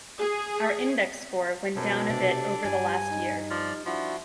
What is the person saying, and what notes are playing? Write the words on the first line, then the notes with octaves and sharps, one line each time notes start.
Our Index score went down a bit over the last year.
G#4
F#2 B2 A4
C3 D4
G2 G3 G#5
D#4
F3 D5 F6
F3 D4 E4 F#4